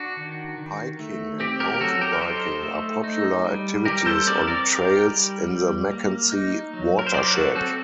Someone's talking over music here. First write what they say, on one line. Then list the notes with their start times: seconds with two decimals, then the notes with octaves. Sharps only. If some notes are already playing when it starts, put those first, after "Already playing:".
Hiking and mountain biking are popular activities on trails in the McKenzie watershed.
Already playing: D4 F#4
0.17 D#3
0.58 D#3
0.99 A3
1.40 C4 G4
1.60 G4 A#4
1.74 A#4
1.81 F#3 F#4 A4
2.01 G4 A#4
2.12 A#4
2.21 D#4 A4 C5
2.63 A3
3.04 D#4
3.45 G3
3.85 G3 G4 A#4
4.06 A4 C5
4.27 C4 A#4 D5
4.47 A#4 D5
4.68 D#4 G4 A#4
5.09 G3
5.51 G3
5.91 A#3
6.32 D#4
6.73 F#3
6.99 A#4
7.07 C5
7.14 F#3 A#4 D5
7.34 F#4 A4
7.55 C4 F#4 A4